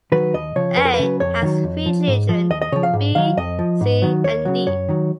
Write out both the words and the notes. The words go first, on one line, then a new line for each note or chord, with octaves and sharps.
"A" has three children, "B", "C", and "D".
D#3 F#3 B4
D#2 D#5
C#3 F3 C#5
F2 B4
A#4
B4
C#3 F#3
F2 C#5
D#3 F#3
F2
F3
G#2
F3
D#2 D#5
D#5
C#3 F3 C#5
F5
G#2
D#3 F#3 F5
F2 D#5
F3
G#2
D#3 F#3
D#2 C#5
C#3 F#3
F#2 C#5
D#3 F#3